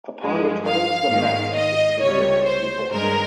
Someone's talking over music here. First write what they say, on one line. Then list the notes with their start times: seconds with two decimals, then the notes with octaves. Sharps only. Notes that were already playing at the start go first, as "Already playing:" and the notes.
Upon returning to the Mets, his career was reborn.
0.22 G2 F3 G#3
0.66 F5
1.11 G#2 D#3 G#3
1.57 D#5
2.02 C#2 C3 G3 C#5
2.46 C5
2.92 G2 D#3 G#3 A#4